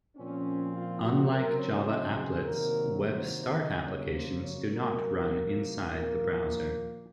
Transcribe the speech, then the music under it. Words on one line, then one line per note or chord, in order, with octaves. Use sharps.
Unlike Java applets, Web Start applications do not run inside the browser.
A#2 F3 C4 C#4
F4
F#4
C#3 F#3 C4 A#4
C#5
D#5
G#4
C3 D#3 F#3 A#3 A#4
C5
C5
C#3 F#3 A#3 D#5
C#5
C5
C#5
C3 F#3 A#3 A#4
A#2 F3 A#3 A#4